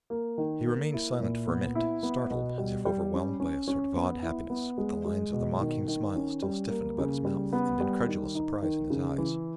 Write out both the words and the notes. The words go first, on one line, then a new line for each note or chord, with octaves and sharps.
He remained silent for a minute, startled, as if overwhelmed by a sort of awed happiness, with the lines of the mocking smile still stiffened about his mouth, and incredulous surprise in his eyes.
A#3
D#3
A#3
E4
A#2
B3
E4
B3
B2
G3
G3
C#4
C#4
C#4
B3
E4
B3
G#3
G#3
B2
D#3
D#3
C#4
G3
A#3
C#3
G3
B3
G3
D#3
D#4
D#3
C#3
E3